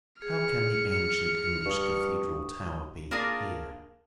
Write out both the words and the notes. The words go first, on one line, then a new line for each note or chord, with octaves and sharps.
How can the ancient English Cathedral tower be here!
G#4 F6 C#7
G2 C#6 D#6
A#3 D4 F4 G#4 A#4 D5